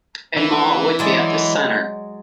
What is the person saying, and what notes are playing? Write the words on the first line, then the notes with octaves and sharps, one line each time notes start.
A mall would be at the center.
E3
F#3 G#3 D5